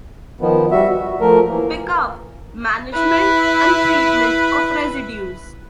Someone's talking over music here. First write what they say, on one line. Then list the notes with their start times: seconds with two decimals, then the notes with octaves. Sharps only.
Pick up, management and treatment of residues.
0.41 D#3 F3 B3
0.72 G3 F#4 E5
0.91 F#4
1.21 F3 A3 A#4
1.49 E3 A#3
2.93 E4 B4